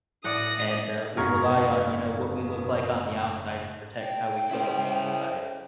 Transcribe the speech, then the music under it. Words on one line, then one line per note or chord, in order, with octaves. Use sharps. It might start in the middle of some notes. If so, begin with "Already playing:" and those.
And, uh, we rely on, you know, what we look like on the outside to protect how we feel on the inside.
A2 D5 F#5 D#6 A#6
F#1 G#2 A#5 C#6 F6 G#6
G5
C#3 E4 C5